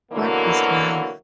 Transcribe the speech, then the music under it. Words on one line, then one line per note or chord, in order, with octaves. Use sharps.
What Is Life?
B2 D3 E3 F#3 A#3